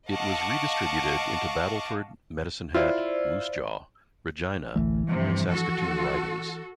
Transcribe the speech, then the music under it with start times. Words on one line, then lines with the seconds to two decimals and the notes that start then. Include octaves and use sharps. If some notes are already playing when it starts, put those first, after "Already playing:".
It was redistributed into Battleford, Medicine Hat, Moose Jaw, Regina and Saskatoon ridings.
0.10 D#5 F5 F#5 A5 C#6 D6
2.74 E4 F4 C5 D5
4.75 A1 D2 E3 A3
5.08 G2 C3 F3
5.49 F#4 A4